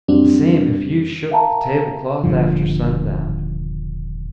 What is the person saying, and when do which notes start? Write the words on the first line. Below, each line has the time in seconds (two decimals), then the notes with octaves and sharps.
The same if you shook the table-cloth after sundown.
0.08 F2 F#3 G3 C4 D4
1.31 A#4 E5 F5 G5 A5 A#5
2.24 D#1 G2 D3 F3